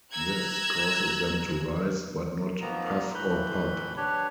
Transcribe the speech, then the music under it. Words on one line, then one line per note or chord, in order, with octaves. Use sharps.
This causes them to rise, but not puff or pop.
A#5 E6 F#6 G#6
F2 D#3 F3 A#3 B3 A#5
D2 A2 E3 B4 B5 G6
D4 G4 B4 C#5